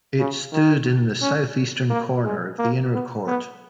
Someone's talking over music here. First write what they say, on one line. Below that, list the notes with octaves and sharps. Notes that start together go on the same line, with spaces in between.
It stood in the south-eastern corner of the inner court.
C#3
D#3
C#4
A#3
G#3
A#3
B3
B3